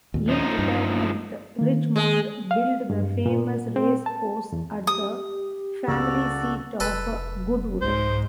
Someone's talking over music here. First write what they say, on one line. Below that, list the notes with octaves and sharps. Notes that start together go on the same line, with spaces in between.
In retirement Richmond built the famous racecourse at the family seat of Goodwood.
D#2 A#2
F#2 F3 D#4
G2
D#3 A#3
G#3
F5
G2
A#2
C4
A5
E2
G4 D#6
C#2 F#4 A4 D5 E6
F1 A4 B4
C2 G#2 C5